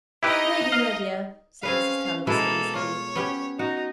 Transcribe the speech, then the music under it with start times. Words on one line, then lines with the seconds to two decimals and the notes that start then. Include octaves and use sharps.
"Maybe, my dear," said Mrs. Tulliver, submissively.
0.23 D#4 E4 G4 B4 D#5
0.72 F5
1.63 C4 C#4 G#4 B4 F5
2.27 B2 G#3 A#3 E4 A4
2.75 F4 C#5
3.16 B3 C#4 G4
3.59 D#4 F#4